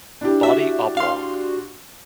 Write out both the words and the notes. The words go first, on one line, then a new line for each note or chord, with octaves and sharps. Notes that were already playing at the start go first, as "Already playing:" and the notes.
Body oblong.
D4 E4 G4
F#4 E5
F5 C6